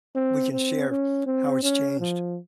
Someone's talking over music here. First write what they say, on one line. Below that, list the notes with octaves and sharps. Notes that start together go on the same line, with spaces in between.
we can share how it's changed.
C4
C4
C#4
C4
C#4
F3